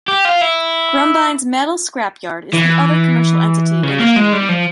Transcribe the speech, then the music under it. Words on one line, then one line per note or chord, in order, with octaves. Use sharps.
Grumbine's Metal Scrap Yard is the other commercial entity in the community.
G4
F4
E4
E3
C#3
A#3
G#3
G3
F3